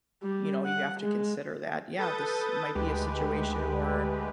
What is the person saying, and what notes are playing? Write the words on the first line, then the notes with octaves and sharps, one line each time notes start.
you know, you have to consider that, yeah, this might be a situation where,
G3
F#5
G#3
A4 B4 D#6 G6 A6
D2 G#3 G4 B4